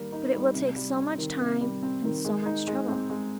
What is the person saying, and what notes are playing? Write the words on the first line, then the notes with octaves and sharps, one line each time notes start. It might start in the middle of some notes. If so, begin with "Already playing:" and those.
But it will take so much time and so much trouble.
Already playing: D#3 G3 A#3
D#4
G3
C3
G3
C4
D#3
C3
G3
C4
D#3
G#3
D#4
G#3
C4
G#3